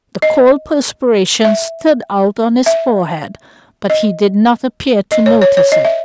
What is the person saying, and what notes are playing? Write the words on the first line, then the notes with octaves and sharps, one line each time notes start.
The cold perspiration stood out on his forehead but he did not appear to notice it.
D#5
E5
E5
D#5
D#5
C#5
C#5
C#5
D#5
E5